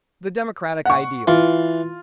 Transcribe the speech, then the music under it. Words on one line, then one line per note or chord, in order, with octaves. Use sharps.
The Democratic Ideal.
F#5 C#6
E3 F4